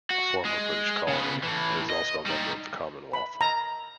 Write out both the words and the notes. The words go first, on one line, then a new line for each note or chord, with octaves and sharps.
A former British colony, it is also a member of the Commonwealth.
F#4
G#3
C#3 B3
A2 E3
D#5
G3 D#4
B5
A#5